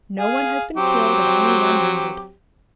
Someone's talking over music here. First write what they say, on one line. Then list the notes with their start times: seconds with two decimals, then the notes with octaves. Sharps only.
No one has been killed and only one wounded.
0.19 G#4 F5
0.76 F#3 C4 G4